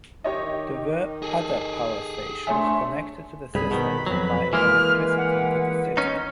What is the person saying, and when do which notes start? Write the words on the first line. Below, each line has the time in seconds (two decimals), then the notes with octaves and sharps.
There were other power stations connected to the system supplying electricity to the City.
0.24 D#3 D#4 G4 C#5 D#5
1.23 G#4 A4
2.47 C3 A3 D4 C#5 E5 G#5 C6
3.55 C2 G2 G#4 B5
3.71 B2 D#3 B4
4.06 F2 F#3
4.53 E3 G#3 A#3 F6
5.17 F#5
5.97 C#4 D#4